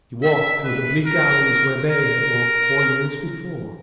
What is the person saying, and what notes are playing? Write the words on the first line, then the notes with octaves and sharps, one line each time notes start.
He walked through the bleak alleys where they had walked four years before.
E5
B4
A#4
A#4